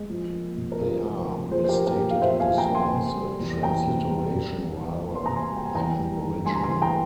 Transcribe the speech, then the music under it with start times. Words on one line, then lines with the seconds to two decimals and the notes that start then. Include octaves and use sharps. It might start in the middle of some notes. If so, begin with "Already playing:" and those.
They are, as stated in the source, a transliteration rather than original.
Already playing: G#3
0.10 F3
0.33 A#3
0.57 C3
0.72 A#4
0.80 C3 F4 G#4
1.04 F3
1.27 A#3
1.51 F3 G#4 C5
1.65 C5
1.69 G4 A#4
1.75 A#3
1.87 G4 A#4
1.98 A#2
2.11 F5
2.22 A#2 C5 E5
2.40 F5 G#5
2.46 F3
2.58 G5 A#5
2.69 A#3
2.75 G#5 C6
2.93 C3
3.16 G3
3.40 E2
3.63 E2 G5 A#5
3.86 C3
4.10 G3
4.34 C3
4.57 G3
4.81 E2
5.05 A#3
5.15 C6
5.26 C3 A#5
5.36 G#5 C6
5.51 G3
5.57 G5
5.66 G#5
5.75 E3 G5 A#5
5.99 G3
6.23 G2
6.45 G2 G#5 C6
6.55 A#5
6.64 G#5 C6
6.69 E3
6.82 G5 A#5